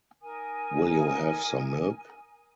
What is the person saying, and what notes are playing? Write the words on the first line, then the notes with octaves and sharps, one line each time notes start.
Will you have some milk?
D#4 A#4 G#5 D#6